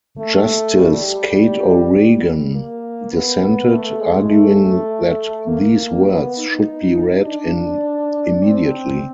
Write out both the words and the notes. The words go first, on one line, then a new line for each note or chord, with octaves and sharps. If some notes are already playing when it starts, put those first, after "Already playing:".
Justice Kate O'Regan dissented, arguing that these words should be read in immediately.
A3
G3
G3
A#3
B3
A3
G#3
A3
A#3
B3
D#4
D4
C4